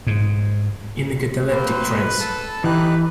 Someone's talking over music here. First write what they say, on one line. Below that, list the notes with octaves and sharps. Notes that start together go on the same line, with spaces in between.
In a cataleptic trance.
G#2
A#3 C4 B4 C5
A4 A5
E3 D#4 G4 B4 F#6